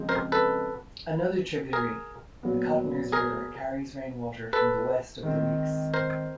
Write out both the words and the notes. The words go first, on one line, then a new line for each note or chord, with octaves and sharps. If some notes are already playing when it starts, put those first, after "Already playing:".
Another tributary, the Cottoners River, carries rainwater from the west of the Reeks.
Already playing: C#3 F3 G#3 C4
A#4 C5
A4 B4
G#4 A#4
A#2 F#3 B3
G#4 A#4
A4 B4
D#3 G#3 C4
A#4 C5